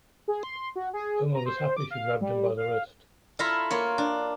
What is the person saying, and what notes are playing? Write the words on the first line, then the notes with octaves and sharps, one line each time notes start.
Omer was happy she grabbed him by the wrist.
G#4
C6
F#4
G#4
A#5
C5
D6
F5
G3
F5
E4 F4 A4 E5 F5 A#5
A#3 F4 C#5
D4